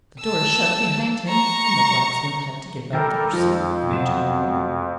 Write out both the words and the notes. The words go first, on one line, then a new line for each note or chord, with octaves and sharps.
The door shut behind him, and the blacksmith had to give up the pursuit and return home.
A5 E6
A#5 C#6
D#3 G3 A4 A#4 G5
F2 F3
C3 F#3 B3